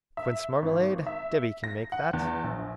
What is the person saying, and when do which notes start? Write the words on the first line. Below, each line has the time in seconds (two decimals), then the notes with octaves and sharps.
Quince marmalade? Debby can make that.
0.17 E5
0.62 G#1
1.06 E5
1.64 A#6
1.92 F#5
2.13 E2
2.44 A#1